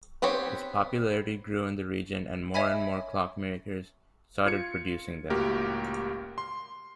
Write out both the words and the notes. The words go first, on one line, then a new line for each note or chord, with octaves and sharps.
Its popularity grew in the region and more and more clockmakers started producing them.
B3 C4 G4 C5 C#5
C#5 D#5 E5 G#5 B5
F4 G#6 C#7
C#2 A2 A#3 F#4 G4 A#4
C6